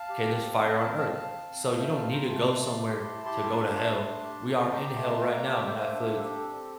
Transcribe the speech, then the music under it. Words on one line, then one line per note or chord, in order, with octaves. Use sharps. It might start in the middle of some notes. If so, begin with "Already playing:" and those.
'Kay, there's fire on earth, so, you don't need to go somewhere to go to hell. We are in hell right now and I feel like
Already playing: F5 A5
G4
C4
C4
C4 A#4
F5 A5
C4
F5 A5
C4
C4
C4 E5 G5
F5 A5
F4
G5 A#5
A3 A5 C6
A3
G4
E4
G4 A5 C6
D4
A3
D4
G4
G4
G4 G5 A#5
A3 A5 C6
A#3 G5 A#5
G5 A#5
G4 F5 A5
E5 G5
A#3 C5 E5
D4
G4 A4
C4